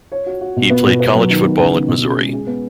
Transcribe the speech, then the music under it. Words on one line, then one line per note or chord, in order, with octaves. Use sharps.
He played college football at Missouri.
C#5
F#4
F#4
B2
B3
B2
B4
F#3
D#3
B3
C#3
B3
B2
C#4
G#3
G#4
B3